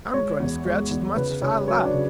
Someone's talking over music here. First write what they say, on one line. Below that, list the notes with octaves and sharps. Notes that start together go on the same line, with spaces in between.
"I'm going to scratch as much as I like!"
G#3 C#5
E2
G#3
E2
C#3 B4
C#3 C#5
F#3 C#5
D4 D5
C#3